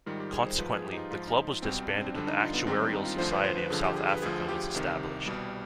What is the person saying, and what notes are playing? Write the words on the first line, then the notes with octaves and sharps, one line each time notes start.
Consequently, the Club was disbanded and the Actuarial Society of South Africa was established.
G#2 D#3 G3 F4
G4
G#4
C5
G#2 F3 B4
G#4
G4
D#4
F4
G#2 F3 F4
D#4
C2 B2 G3 C4
C4
D4
C4
F2 D3 G3 D4
D#4
F4
B3
G#2 D#3 G3 C4
D4
D#4
F4
D2 D3 F3 C5
B4
C5
B4
G2 D3 F3 G#4
G4
G#4
B4
D2 D3 F3 G#4
G4
C2 C3 D#3
C2 B2 G3